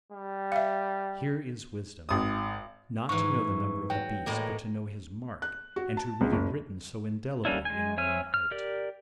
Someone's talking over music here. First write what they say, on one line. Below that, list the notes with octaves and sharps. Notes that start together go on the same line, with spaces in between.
'Here is wisdom': not to know the number of the beast, but to know his mark, and to read it written so indelibly in our own heart.
G3
E5 F5
G#1 D#6
G#2 E3 C#6
F#3 G5
A2 G#3 A#3
F#6
F#4
A5
C#2
F#1
G3 A#3 C#4 D4 E4
G#3 G#5
C4 C#5 E5 G#5 F6
F6
G4 A#4 D5